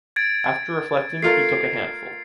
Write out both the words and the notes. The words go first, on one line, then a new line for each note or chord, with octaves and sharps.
After reflecting, he took a handful.
G#6 A6 D7
A3 F4 A#4 C7